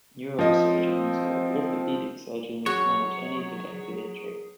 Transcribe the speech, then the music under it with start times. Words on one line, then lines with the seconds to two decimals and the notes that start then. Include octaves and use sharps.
Neurosurgeons or orthopaedic surgeons manage any detected injury.
0.39 F3 C4 D#5
2.66 F#3 F#4 G#4 C#5